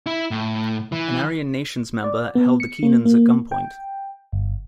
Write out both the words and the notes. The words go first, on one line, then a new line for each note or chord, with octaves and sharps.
An Aryan Nations member held the Keenans at gunpoint.
E4
A2
E3
D5
B3
C#7
A#3
A#3
G5
G1